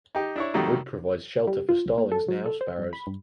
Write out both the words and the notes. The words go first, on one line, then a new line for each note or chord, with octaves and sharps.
The wood provides shelter for starlings and house sparrows.
D#4 G4
D4 E4 C#5
F2 D#3 F#3 G3 A3 A#3
G3
F4
B1
A#3
A4
F#3
A4
C5
G2
B5
G2